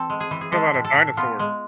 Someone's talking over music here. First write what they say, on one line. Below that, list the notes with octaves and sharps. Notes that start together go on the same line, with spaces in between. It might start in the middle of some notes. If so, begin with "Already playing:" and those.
What about a dinosaur?
Already playing: E3 C4 A4
G#3
G#4
E3
G#4
G#3 A4
A2
A4
A2
B3 F4
G#3